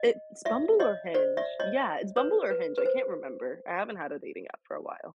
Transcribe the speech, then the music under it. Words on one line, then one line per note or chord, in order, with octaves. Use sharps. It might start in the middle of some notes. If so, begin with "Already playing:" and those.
it's Bumble or Hinge. Yeah, it's Bumble or Hinge, I can't remember, I haven't had a dating app for a while.
Already playing: D#5
D5 E5
C#5 D#5
C5 D5
D5 E5
C#5 D#5
B4 C#5
B4
B4
C5